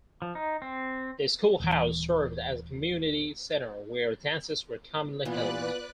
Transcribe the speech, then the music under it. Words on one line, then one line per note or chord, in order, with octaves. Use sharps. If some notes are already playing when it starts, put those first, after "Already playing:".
The school house served as a community center where dances were commonly held.
F3
D#4
C4
D#1 E3
A#2 E3 B3 F4 B4 D5 F#6